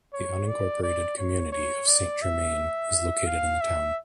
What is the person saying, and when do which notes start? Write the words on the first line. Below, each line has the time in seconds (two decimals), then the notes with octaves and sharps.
The unincorporated community of Saint Germain is located in the town.
0.13 C#5
0.48 D5
0.83 D5
1.18 C#5
1.52 C#5
1.87 D5
2.22 E5
3.26 F5
3.61 E5